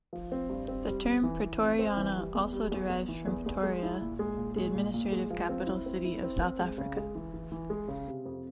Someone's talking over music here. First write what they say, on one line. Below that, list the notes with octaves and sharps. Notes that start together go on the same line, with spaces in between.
The term "Praetoriana" also derives from Pretoria, the administrative capital city of South Africa.
F3
C4
G2
C4
G3
F2
E3
E3
F2
C4
E3
G3
E2
G3
E2
E2
E3
E2
E2
G#3
E4
A#2
G#3
A#2
G#3
A#2
A#2
G#3
F3
C4
E4
C4
E4
C4
C4
G#3
C#3
G#3
E3
E3
E3
G#3
C#3
C3
F2